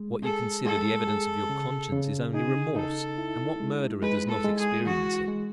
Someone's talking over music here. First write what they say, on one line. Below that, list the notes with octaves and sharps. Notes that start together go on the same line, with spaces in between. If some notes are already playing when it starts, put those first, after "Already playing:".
What you consider the evidence of your conscience is only remorse; and what murderer does not experience it?
Already playing: G#3
G#4 A4
G#3 A4
G#4
C#3
C#3
D#4 G#4
D#4 A4
E4
G#3
G#3 B4
A4
G#3
G#4
E3 F#4
G#3